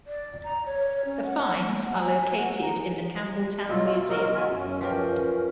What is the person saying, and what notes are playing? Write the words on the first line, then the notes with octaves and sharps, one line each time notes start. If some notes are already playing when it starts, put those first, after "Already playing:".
The finds are located in the Campbeltown Museum.
D5
A#5
C#5
C#4
F#5
F#5
G#5
F#5
A#5
B2 F#3 E4 F4 E6
D#4 F#4 A#4
F4 F#4 E5 G#5
F#2 C#4
F3 F4 G4 A#4 B4